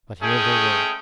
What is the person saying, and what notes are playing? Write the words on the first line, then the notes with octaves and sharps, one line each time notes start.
But here they were.
G#3 A3 C#4 G#4 G5